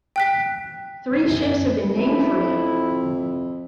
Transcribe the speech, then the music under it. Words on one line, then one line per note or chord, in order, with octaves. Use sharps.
Three ships have been named for him.
G5 F#6 B6
F#2
F2 E4